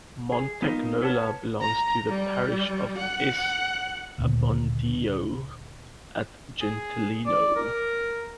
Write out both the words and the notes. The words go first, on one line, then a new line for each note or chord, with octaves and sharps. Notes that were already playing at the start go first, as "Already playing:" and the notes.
Montagnola belongs to the parish of S. Abbondio at Gentilino.
G#4
B3 D#4 F4 A#4
A#4 B4 C#5 F#5 A5
A#5
G3
F#5
D2 A#2 C#3
G#4
D5
A#4